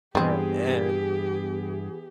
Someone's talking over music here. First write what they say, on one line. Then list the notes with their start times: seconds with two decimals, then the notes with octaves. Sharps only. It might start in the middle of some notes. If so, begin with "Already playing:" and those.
a and
0.15 G2 E3 G3 B3 C4 G4 G#4